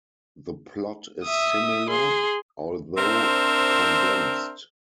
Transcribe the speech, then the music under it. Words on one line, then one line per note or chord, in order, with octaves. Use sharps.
The plot is similar, although condensed.
E5 D#6
G#4 C6
C4 D4 A#4 C5 E5